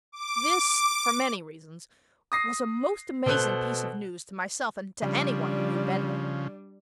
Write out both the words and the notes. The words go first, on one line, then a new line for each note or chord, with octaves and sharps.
This, for many reasons, was a most amazing piece of news to myself and to anyone who knew Benda.
D6
D#6 A#6 C7
B2 A4 C5 F#6 G7
C#3 F3 G3 D4